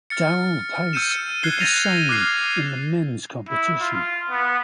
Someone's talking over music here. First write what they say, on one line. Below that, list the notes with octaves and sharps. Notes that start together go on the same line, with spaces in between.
Darrell Pace did the same in the men's competition.
F6 A6 C#7
E6 G6 C#7 D#7 E7
F#6 G#6 C7 D#7 G7
A6 A#6 D#7 F7
D6 F6 F#6 G#6 C7
E4
F4
B3